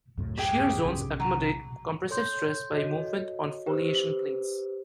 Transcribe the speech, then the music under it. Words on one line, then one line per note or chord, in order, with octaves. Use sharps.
Shear zones accommodate compressive stress by movement on foliation planes.
C#2 F#2 A2
G4 G#4 G5
B1 C#4
F#3
A4 C#5 C6 G6
F#4 A4 C#5 D#5
G4 B4 C5